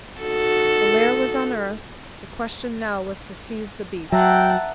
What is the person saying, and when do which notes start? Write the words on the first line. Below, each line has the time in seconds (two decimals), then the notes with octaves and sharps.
The lair was unearthed, the question now was to seize the beast.
0.19 D#4 F#4 A4
4.12 F#3 E5 F#5 G5 A5 A#5 F#6